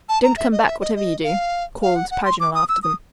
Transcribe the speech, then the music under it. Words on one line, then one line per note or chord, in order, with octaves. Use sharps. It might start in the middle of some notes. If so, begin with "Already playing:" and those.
"Don't come back whatever you do," called Paganel after them.
A5
A#5
E5
D#5
E5
D#5
D#5
F5
F5
F#5
F#5
C6
D6
D#6
E6
D#6